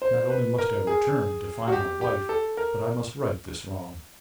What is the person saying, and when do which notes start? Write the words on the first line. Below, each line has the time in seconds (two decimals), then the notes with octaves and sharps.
"Not only must I return to find my wife but I must right this wrong."
0.02 C5
0.30 B4
0.58 A#4
0.87 G#4
1.68 F#4
1.72 G4
2.01 G4
2.29 A4
2.57 A#4